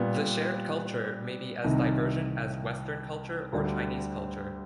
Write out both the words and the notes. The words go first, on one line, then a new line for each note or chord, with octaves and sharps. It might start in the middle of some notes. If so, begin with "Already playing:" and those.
The shared culture may be as divergent as Western culture or Chinese culture.
Already playing: A#2 G3 B3 D4
C2 C3 D#3
D2 D3 G3